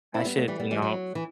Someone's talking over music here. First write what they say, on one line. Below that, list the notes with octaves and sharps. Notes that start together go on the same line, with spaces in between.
I should," you know,
C4 E4
G3 B3
F#3 A3
E3 G3
G3 B3
E3 G3
F#3
E3